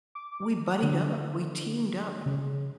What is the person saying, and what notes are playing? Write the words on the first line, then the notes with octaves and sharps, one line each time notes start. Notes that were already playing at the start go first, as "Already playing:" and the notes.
we buddied up, we teamed up.
D6
D3
C#3